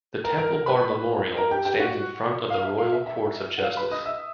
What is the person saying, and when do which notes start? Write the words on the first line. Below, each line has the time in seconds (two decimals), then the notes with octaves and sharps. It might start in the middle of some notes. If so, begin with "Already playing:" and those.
The Temple Bar Memorial stands in front of the Royal Courts of Justice.
0.24 A#4 A#5
0.38 A#4 A#5
0.52 A#4 A#5
0.66 B4 B5
1.37 A#4 A#5
1.51 G4 G5
1.65 G4 G5
1.80 F#4 F#5
2.50 F5
2.64 E5
2.78 F5
2.92 E5
3.07 E5
3.57 F#5
3.63 F5
3.77 B4 B5
3.91 D#5 D#6
4.05 E5 E6